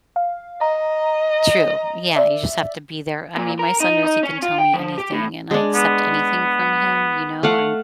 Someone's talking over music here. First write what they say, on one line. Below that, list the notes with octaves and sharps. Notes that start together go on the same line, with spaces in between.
True, yeah, you just have to be there, I mean, my son knows he can tell me anything, and I accept anything from him you know, I'm
F5
D#5 A#5
D5 E5
A#2
A#4
D#4
D#4
C#4
F4
G5
F3
G4
A2
G#3 D4
B3
A3 F5 F#5